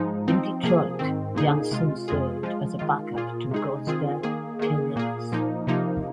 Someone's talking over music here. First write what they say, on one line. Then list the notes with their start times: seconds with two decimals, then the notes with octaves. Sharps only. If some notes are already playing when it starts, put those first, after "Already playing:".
In Detroit, Jansen served as a backup to Gosder Cherilus.
Already playing: G#2 F3 G#3 D#4
0.28 F3 C4 D#4
0.63 C3 F3 A#3 G#4
0.99 G#2 D#3 C4
1.35 A#2 A#3 D#4 G#4
1.71 C3 G#3 F4
2.08 F2 C3 G#3 F4 G#4
2.43 F3 G#3 F4
2.79 D#3 G#3 F4
3.15 A#2 A#3 F4 G#4
3.51 C3 G#3 D#4 G#4
3.87 D#3 C4 F4 G#4
4.23 D#3 A#3 G#4
4.59 D#3 A#3 G#4
4.96 A#2 A#3 G#4
5.32 A#2 F3 A#3 D#4
5.67 C3 F3 A#3 D#4